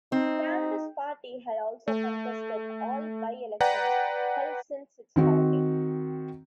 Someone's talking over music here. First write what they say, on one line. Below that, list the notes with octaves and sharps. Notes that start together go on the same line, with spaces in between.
The Cannabis Party has also contested all by-elections held since its founding.
C4 D#4
A3
B4 D5 F#5 G5 A#5
D#3 C4 F#4